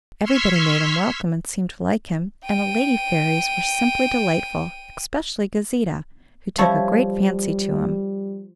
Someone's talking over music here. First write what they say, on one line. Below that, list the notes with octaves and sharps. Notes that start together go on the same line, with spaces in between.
Everybody made him welcome and seemed to like him, and the lady fairies were simply delightful, especially Gauzita, who took a great fancy to him.
C6 C#6 E6 F6 G#6 B6
G5 D#7
F3 G3 E4 C#5